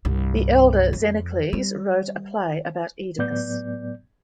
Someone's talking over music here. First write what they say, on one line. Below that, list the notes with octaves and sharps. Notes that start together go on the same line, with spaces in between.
The elder Xenocles wrote a play about Oedipus.
C2 G2
F2
G3
A2 F#3 B3 D5 G6